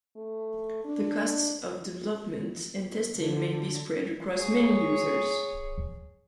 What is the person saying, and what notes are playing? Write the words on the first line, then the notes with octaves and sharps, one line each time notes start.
The costs of development and testing may be spread across many users.
A3
D4
D3
G#4 C#5